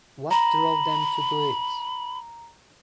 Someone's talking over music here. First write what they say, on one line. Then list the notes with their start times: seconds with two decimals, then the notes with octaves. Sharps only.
What drove them to do it?
0.31 A#5 B5